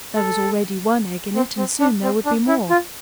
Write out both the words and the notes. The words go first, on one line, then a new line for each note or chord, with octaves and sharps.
There was already one egg in it and soon there would be more.
A4
C4
C4
D4
C4
D4
E4
F4